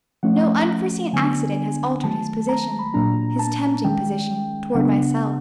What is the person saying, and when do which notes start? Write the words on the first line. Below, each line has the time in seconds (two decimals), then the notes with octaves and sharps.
No unforeseen accident has altered his position--his tempting position--toward myself.
0.23 F3 A3 C#4 F#5
1.13 D3 F#3 B3 D4 G#5
2.04 D#3 F#3 A3 A5
2.49 A#5
2.64 A#5
2.79 B5
2.94 A#2 F#3 A#3 D4 A#5
3.39 A5
3.84 D#3 G#3 C#4 G5
4.75 C#3 F#3 B3 D4 F#5